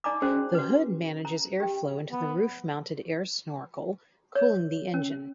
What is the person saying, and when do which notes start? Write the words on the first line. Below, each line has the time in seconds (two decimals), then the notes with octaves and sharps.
The hood manages airflow into the roof mounted air snorkel cooling the engine.
0.04 D#4 D5 G#5 A#5 D6
0.22 C#4 F#4 G#4 C5
0.55 F#4 B4
1.25 A#5
1.60 G4 G5
2.11 B3
4.35 C#5
4.94 C#4